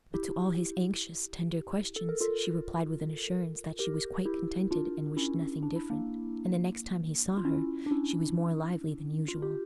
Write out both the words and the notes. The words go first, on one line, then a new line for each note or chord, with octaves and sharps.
But to all his anxious, tender questions, she replied with an assurance that she was quite contented and wished nothing different; and the next time he saw her she was more lively than usual.
E4 G4
A4
A#4
F4 A4
G4 A#4
E4 G4
D4 F4
C#4 E4
D4
E4
A#3 D4
F4
C#4 E4
D4
C#4 E4
F4
G4